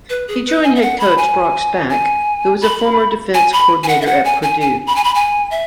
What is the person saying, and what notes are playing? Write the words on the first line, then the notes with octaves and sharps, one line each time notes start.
He joined head coach Brock Spack, who was a former defensive coordinator at Purdue.
B4
G#4
B4
G#5
E5
F#5
B5
G#5
G#5
B5
G#5
B5
G#5
F#5
E5
F#5
G#5
G#5
G#5
B5
G#5
B5
G#5
E5